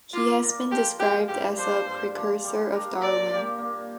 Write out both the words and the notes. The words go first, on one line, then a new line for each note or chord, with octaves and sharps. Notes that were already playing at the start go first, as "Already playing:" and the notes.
He has been described as a "precursor of Darwin".
A#3 F4
F4 A#4 D5
F3 G4
C4 G4 A#4 F5
G2 G4
F3 D4 F4 C5
G2
F3 D4 A#4
G3
D4 A#4 F5
A#2 D5
A#3 G4
A#3